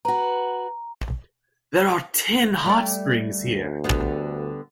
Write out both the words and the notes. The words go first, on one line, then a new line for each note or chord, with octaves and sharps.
There are ten hot springs here.
F#4 B4 A#5
G3 A3 D5
D2
D3 G3 B3